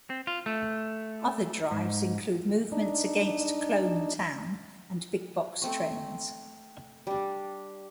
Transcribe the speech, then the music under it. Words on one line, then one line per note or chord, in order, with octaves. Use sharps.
Other drives include movements against Clone town and Big-box trends.
C4
F4
A3
G#2
D4 D#4
A3 C4 C#6
G3 D4